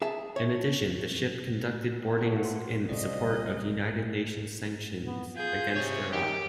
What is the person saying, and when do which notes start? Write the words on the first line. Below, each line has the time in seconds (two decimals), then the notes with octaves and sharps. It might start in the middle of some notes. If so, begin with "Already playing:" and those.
In addition, the ship conducted boarding's in support of United Nations sanctions against Iraq.
0.02 G#4 E5 A5
0.36 C#5
2.05 A3 B3
2.18 A2 F#3 A3 C4
2.32 A#2 F#5
2.43 A4 C6
2.89 C2 F2 C3 D5 D#5
5.06 B3
5.36 F4 G#4 G6
5.75 C3 G#3 C#5
6.13 D#3 G4 D7